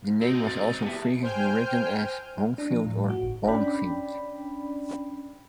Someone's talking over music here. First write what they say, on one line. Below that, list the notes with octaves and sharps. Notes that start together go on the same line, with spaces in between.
The name was also frequently written as "Hongfield" or "Honghfield".
C4 D#4 F#4
A6
B3 E4 G4 A5
C5 G5 G#5 F6 G6
D4
F3
A2
F#4
G1
C#4 D4 D5 G5 B5